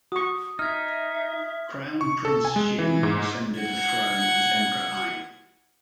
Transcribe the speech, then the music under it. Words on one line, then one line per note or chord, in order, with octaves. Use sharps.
Crown Prince Xin ascended the throne as Emperor Ai.
F#4 C#6 D#6
D#4 E5 F6 G#6
C#6
A4
G#5
G#3
E3
G#2
F#5 G#6